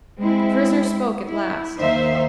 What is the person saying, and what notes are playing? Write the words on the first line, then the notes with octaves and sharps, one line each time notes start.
The prisoner spoke at last.
G#3 C4 E4
E4
D#2 D#3 D#4 C5 E5 F5